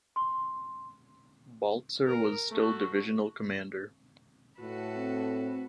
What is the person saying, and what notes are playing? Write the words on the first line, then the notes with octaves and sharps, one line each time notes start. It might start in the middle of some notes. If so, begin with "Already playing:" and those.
Baltzer was still divisional commander.
C6
A#4
A3 F#4
A2 F#4 A4 B4
C4